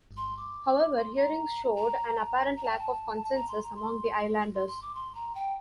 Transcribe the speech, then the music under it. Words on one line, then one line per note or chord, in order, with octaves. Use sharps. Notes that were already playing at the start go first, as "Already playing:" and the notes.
However, hearings showed an apparent lack of consensus among the islanders.
C6
D6
C6
A#5
A#5
A#5
A5
G5
A5
A#5
C6
A#5
C6
C6
C6
D6
C6
A#5
G5